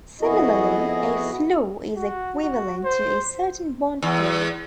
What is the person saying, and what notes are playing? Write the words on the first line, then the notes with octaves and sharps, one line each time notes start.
Similarly a floor is equivalent to a certain bond call.
F2 B3 E4 F#4 G#4 D#5
F#4
F#4
C5
E2